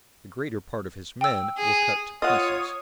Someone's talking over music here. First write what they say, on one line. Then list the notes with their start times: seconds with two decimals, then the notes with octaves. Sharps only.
The greater part of his men were cut to pieces.
1.21 G5 E6
1.57 G#4
2.22 F4 C#5 D#5 F#5 D#6